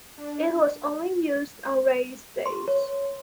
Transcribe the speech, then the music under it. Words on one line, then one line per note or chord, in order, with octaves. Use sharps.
It was only used on race days.
D4
C6
C#5